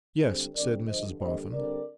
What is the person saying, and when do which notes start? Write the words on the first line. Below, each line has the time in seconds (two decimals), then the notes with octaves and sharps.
'Yes,' said Mrs Boffin.
0.22 D3 G3 C4 G#4 C5
0.55 D3 G3 C4 A#4 D5
0.87 G2 D3 F3 C5 D#5
1.21 D3 G3 A#3 C5 D#5
1.53 D3 G3 C4 A#4 D5